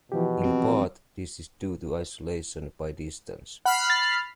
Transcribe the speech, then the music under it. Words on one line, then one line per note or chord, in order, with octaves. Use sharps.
In part this is due to isolation by distance.
B2 E3 F3 G4
C4
F#5 B5 F6 C7
A6